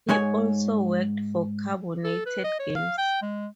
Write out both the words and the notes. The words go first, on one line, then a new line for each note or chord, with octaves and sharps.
He also worked for Carbonated Games.
G#2 G#3 C#5 G#5
A4
B4
D#5
C#5
F5
G5
G#3